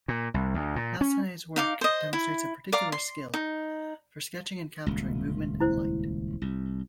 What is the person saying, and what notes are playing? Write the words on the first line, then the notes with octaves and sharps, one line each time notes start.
Massonet's work demonstrates a particular skill for sketching and capturing movement and light.
A#2
C2
D2
A#2
C#4
D#4 F5 D6
C5 D#5
E4
D5 F5 A#5 D6
C6
D#4
D#1 C#2
E4 C5
C2